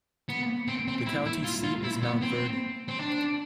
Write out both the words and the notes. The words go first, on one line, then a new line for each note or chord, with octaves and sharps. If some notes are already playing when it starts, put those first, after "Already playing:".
The county seat is Mount Vernon.
B3
C4
C4
E4
E4
F4
F4
E4
B3
C4
C4
D4